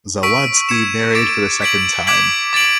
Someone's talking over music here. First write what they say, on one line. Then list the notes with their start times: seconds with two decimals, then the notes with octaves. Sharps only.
Zawadzki married for the second time.
0.23 C#6 E6 B6 D7
0.69 C#6 G#6 C#7 E7
1.15 D6 A6 D7
1.61 G#6 B6 D7 F#7
2.07 D6 G#6 B6 D7 F#7
2.53 D6 A6 D7 F#7